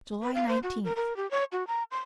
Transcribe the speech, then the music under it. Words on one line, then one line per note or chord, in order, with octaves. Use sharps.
July Nineteenth.
B4
F5
C5
F#4
A#4
A#4
G4
C#5
F#4
A#5
C6